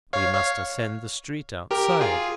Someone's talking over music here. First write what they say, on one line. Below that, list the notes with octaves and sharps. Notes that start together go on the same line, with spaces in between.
We must ascend the street outside.
C#5 F5
C#5 F5
G4 A#4
F4 G#4